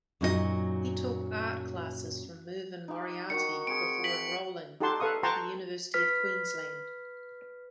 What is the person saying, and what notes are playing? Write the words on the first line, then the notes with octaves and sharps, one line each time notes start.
He took art classes from Mervin Moriarty before enrolling at the University of Queensland.
F#2 A#2 F#3 D#4 F4 D#5
D#4 G4
D#3 F#4 C#7
C4 G#4 D7
B6 D7 F#7
D#4 G4 A4 F#5 A5 C6
A4 B4 F5 C#6 D#6
F#5 G5 A5 A#5 C6 C#6
B4 F6 B6